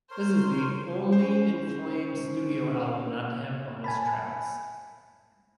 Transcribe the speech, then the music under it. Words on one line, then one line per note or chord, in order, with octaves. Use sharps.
This is the only In Flames studio album not to have bonus tracks.
A#4 C5 C#5 C6
C#4 C5
G#5 A5 B5